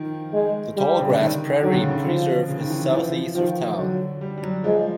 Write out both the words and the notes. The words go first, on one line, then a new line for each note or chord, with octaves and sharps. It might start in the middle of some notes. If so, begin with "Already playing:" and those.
The Tallgrass Prairie Preserve is southeast of town.
Already playing: D#3 F3
G#3
G3
C#3
D3
D#3
D#3 F#3
D3
C#3
D3
F3
C#3
D#3
E3
E3
E3 F3
D#3 F3
D3 F#3
G3
G3
F#3
F3 G#3